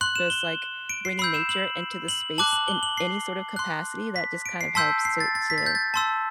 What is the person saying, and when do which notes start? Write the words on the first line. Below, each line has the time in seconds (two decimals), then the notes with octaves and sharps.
just, like, bringing nature into the space in any sort of capacity that just kind of helps to to
0.01 C6 F#6 F#7
0.16 E7
0.30 G7
0.89 D7
1.05 C7
1.19 B5 E6 G6 C7
1.34 E7
1.49 F#7
2.08 F#7
2.38 A5 D6 F#6 F#7
2.53 F#7
2.68 G7
2.83 F#7
2.97 C7
3.56 C6 F#6
4.16 B6
4.46 D7
4.61 C7
4.75 A5 C6 E6 G6 B6
5.05 C7
5.20 A6
5.35 A6
5.50 B6
5.58 A6
5.66 G6
5.75 A6
5.94 A5 C6 E6